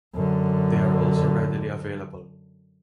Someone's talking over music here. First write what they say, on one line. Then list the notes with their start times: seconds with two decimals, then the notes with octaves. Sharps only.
They are also readily available.
0.15 F#2 D3